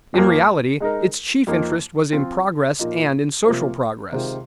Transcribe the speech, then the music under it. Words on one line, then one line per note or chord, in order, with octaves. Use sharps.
In reality its chief interest was in progress and in social progress.
F2 F3 A#3
G#3 D#4 A#4
F2 F3 A#3 D#4
F3 C4 F4
A#2 F3 A#3 D#4
C3 F3 A#3 F4 C5
C3 D#3 G#3 F4 C5